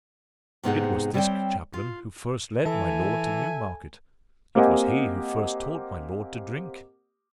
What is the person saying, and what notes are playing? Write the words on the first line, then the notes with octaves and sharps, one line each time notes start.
It was this chaplain who first led my lord to Newmarket; it was he who first taught my lord to drink.
G#2 C3 B3 D#4 G#4 F#5
G3 C4 C#5 E5 G5
F4
E3 A4 E5 G#5
A#3 C4 G4 D#5 F#5 G#5